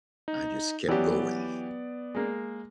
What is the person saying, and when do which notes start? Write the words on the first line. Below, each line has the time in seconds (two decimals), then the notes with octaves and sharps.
I just kept going,
0.28 D#4
0.88 E3 F#3 B3 G4 D5
2.15 G#3 A#3